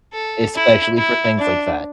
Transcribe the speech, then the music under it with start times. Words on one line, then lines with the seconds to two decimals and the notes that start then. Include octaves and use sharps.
especially for things like that.
0.14 A4
0.55 E4
0.97 E4
1.39 D4